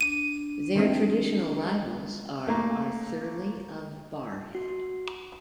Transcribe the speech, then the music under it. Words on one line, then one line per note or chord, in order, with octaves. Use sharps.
Their traditional rivals are Arthurlie of Barrhead.
D4 D#7
D#3 A3 C4
A3 A#3 F5
F#4